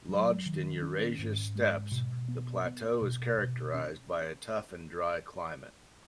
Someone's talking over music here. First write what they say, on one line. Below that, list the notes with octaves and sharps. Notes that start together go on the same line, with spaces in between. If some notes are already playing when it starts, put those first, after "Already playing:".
Lodged in Eurasia’s steppes, the plateau is characterized by a tough and dry climate.
F#3
D#3
C#4
G#2
G#3
B2
B3
B3
B2
B2
C#4